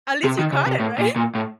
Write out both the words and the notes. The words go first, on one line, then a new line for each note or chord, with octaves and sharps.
At least you caught it. Right?
C3
D#3
C#3
C3
A2
A#2
A#2
A2